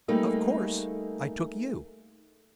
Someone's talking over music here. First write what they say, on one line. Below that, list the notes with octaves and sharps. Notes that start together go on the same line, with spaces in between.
Of course, I took you.
G3 A3 A#3 D#4 G#4